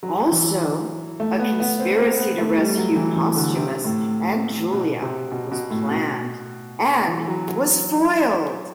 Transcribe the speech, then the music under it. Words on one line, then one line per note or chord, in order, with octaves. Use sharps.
Also, a conspiracy to rescue Postumus and Julia was planned and was foiled.
F#3
E3
A3
B3
B3
C4
C4
B3
A3
G3
F#3
E3
E3
D3
C3
A2
B2
C3
B2
B2
A2
B2
E3
F#3
F#3